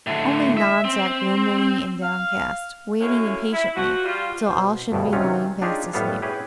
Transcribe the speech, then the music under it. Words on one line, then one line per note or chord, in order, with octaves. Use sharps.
Only Nod sat gloomy and downcast, waiting impatiently till all should be lying fast asleep.
A2 D3
E5
C4
F5
F#2 A2 A#3 C#4 E4
E4
F3 F#4
G3 F4
B2 C5 F5
D2 G2 B2
C3 D#3 F#3 C#4 F4
D4 D#4 F4 G4 G#4 C#5
A2 G3 B3 A4 F5
E4 G4 G#4 B4 C#5